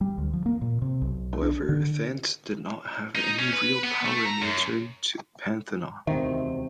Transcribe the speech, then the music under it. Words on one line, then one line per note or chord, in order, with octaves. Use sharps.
However, Thant did not have any real power and returned to Pantanaw.
G3
D2
F3
A#3
A#2
C3
B1
D4
D3
D#4
C#4
B4
B3
A3
A#5
F#2
E1 D2 C3 D#3 C5 E5